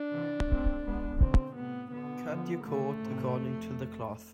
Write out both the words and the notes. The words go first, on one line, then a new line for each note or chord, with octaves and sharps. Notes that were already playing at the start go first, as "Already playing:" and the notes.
Cut your coat according to the cloth.
Already playing: D4
C3 E3
A3 C4
G#3 B3
B2 D3 C4
A2 C3 B3
B2 D3 B3
D3 F3
B2 D3 A3
A2 C3
F2